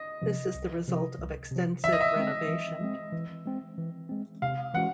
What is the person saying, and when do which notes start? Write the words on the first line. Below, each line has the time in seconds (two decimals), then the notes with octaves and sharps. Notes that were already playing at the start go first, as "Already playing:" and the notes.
This is the result of extensive renovation.
Already playing: D#5
0.22 C3 F3
0.55 C2
0.87 C3 F3
1.20 C2
1.51 C3 F3
1.84 E3 E5
1.93 D#5
2.01 E5
2.16 G#3 C4
2.48 E3
2.81 G#3 C4
3.12 E3
3.46 G#3 C4
3.78 E3
4.09 G#3 C4
4.42 C3 F5
4.74 E3 G#3 C#4 F#4 F#5